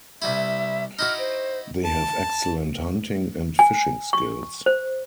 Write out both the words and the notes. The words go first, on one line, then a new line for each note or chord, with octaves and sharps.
They have excellent hunting and fishing skills.
C2 G3 E4 E5
D#4 E4 F#4 F6
C5
A5
G#5
C#6
C5